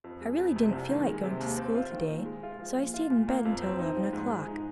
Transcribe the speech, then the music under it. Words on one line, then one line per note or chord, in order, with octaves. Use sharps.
I really didn't feel like going to school to-day, so I stayed in bed until eleven o'clock.
F2
G#3
F2
C3
C2
D#3
G#3
C3
D#2
C4
F4
D#3
A#2
G#3
F4
F3
A#2
F4
A#2
A#3
F2
C4
D#4
F3
G#2
G#3
D#4